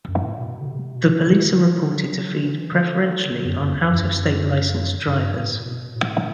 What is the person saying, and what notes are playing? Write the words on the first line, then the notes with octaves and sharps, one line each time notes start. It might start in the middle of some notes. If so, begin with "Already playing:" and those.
The police are reported to feed preferentially on out-of-state licensed drivers.
F#2
A2
B2
D3
C3
B2
D3
F#3
F#3
F#3
E3
D3
D3
F#2
F#2
E2
F#2
G2
A2
B2
A2